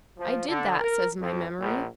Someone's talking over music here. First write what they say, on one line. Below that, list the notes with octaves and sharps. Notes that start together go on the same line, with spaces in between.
"I did that," says my memory.
F3
D3
A#4
F2
A#1